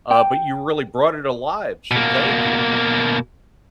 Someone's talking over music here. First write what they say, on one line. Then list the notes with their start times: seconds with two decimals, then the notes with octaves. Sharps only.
uh, but you really brought it alive, so thank you.
0.11 G5
1.91 B2 A#3